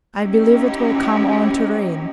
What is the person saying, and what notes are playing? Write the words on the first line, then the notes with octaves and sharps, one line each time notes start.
I believe it will come on to rain.
A#3 C#4 D#4 E4 G4